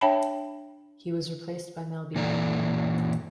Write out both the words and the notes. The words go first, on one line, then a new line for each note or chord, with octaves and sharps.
He was replaced by Mel B.
D4 C#5 E5 G5 A5 B5
A#2 E3 A#3 A4 D5 A#5